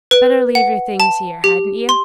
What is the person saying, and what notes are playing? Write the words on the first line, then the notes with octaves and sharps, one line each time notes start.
Better leave your things here, hadn't you?
B4
F#5
A5
G4
C6